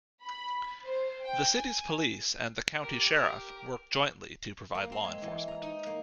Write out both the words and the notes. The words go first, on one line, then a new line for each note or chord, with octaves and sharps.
The city's police and the county sheriff work jointly to provide law enforcement.
B5
C5
G5
G#5
G4 A#4
A#3
C4
G#3
E3
A#5
D#4
A#3